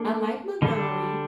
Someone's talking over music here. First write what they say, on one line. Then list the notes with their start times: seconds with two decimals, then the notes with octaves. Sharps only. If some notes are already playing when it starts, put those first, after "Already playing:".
I like Montgomery,
Already playing: A#3 D4 A4
0.62 D3 G3 D4 A4